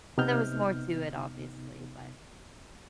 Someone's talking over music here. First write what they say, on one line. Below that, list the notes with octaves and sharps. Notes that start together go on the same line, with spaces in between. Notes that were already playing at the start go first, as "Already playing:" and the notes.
there was more to it, obviously, but
C3 B3 D#4 F6 G6